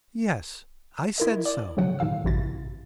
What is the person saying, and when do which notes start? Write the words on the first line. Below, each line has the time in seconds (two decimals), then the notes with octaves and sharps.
'Yes, I said so.
1.18 E4 A#4 D#5
1.45 D5
1.77 G#2 C#3 F#3 F#5
1.99 A2 D#3 F5 E6
2.24 A1 G2 C3 E4 F#4 A6